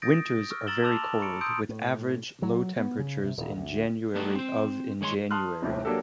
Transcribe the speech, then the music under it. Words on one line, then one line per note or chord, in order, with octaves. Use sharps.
Winters are very cold, with average low temperatures in January of in January.
D#6 G6 A6 A#6 D7
C#6 E6 F6
A#5 E6 A6 E7 F#7 G7
A5 C6 D6 E6 E7 F7
A#5 B5 C#6 C#7 D7
C6 D#6 E6 G6 D7
A2
F#3
B3
C#3
C3
D#1
D2
G3 A3 B3 D4 D#4 F#4
C4 C5
D#3 G#3 C#5 G5 C6
A5 C6 D#6 F6 F#6
D#1 D#2 A2 C3
F#3 A#3 D4 G4 A4